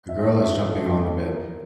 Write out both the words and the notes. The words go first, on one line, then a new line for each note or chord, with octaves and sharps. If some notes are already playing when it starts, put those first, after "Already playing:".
A girl is jumping on the bed.
E5
E5
A4
A#4